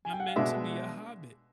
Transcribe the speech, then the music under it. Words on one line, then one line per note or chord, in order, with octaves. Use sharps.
I'm meant to be a hobbit."
G#5
G5
F#5
F5
B2 G#3 B3 D4 E5